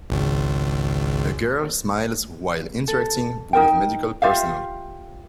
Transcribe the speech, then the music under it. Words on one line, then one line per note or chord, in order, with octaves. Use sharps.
A girl smiles while interacting with medical personnel.
G#1 C#2
A4
D#4 F#4 A#4 G5
F4 G4 E5 F5